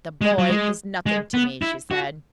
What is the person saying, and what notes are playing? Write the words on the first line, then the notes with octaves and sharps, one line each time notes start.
"The boy is nothing to me," she said.
G#3
F#3
G#3
G#3
B3
E4
F#4